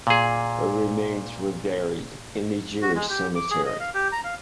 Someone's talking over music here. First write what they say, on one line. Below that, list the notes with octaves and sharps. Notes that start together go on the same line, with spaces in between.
Her remains were buried in the Jewish cemetery.
A#2 G#4
F#4
G#3
G4
D6
G#4
D#5
F5
G4
A#5
F5